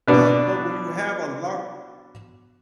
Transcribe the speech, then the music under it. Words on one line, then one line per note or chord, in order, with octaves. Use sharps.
um, but when you have a lar
B2 D4 B4